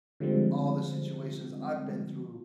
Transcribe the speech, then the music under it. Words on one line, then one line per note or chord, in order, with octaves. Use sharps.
all the situations I've been through
D3 F3 G3 G#3 C4